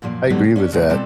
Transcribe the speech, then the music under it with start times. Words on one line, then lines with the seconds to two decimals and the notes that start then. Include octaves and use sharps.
I agree with that.
0.02 F#2 A#2 F3 A#3
0.30 D3 D#3 F#3 G3 B3 C4
0.44 C#3
0.56 C#4 D4 E4 G4
0.72 A#2 C#3 G#3 A#3 F#4 G#4
0.89 B2 G3 C4 F4 A4 A5